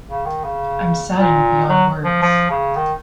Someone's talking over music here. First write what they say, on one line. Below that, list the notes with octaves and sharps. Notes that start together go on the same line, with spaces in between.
I'm saddened beyond words.
C#3
D#3
C#3
A#2
F#3
F3
F3
C#3
D#3